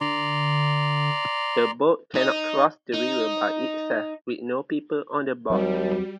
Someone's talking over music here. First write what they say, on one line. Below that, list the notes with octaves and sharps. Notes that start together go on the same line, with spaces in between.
The boat cannot cross the river by itself with no people on board.
D3 D5 A#5 C6
D#4
D#4
D#2 F#3 G3 C4 F#4